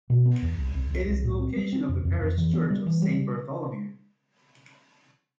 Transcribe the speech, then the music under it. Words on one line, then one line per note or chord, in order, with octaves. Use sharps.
It is the location of the parish church of Saint Bartholomew.
B2
B3
E2
C2
C2
C2
C2
A2
C4
G3
C4
F2
F2
F2
E3
B3
G3
E3
G3